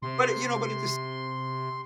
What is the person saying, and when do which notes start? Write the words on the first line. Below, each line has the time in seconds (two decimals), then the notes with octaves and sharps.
But, eh, you know but, at the s
0.02 C3 C6